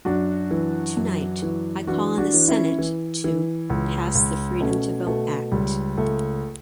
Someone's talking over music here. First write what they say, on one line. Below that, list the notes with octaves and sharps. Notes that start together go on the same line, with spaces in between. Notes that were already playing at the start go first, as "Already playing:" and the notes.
Tonight. I call on the Senate to: Pass the Freedom to Vote Act.
F#2 D4 F#4
E3
F#2
E3
E3 D4 F#4
D4 F#4
E3
C#4 E4
E3
E3
C#2
C#2
B2 A3 C#4
B2 A3
C#2 G3
C#2 A3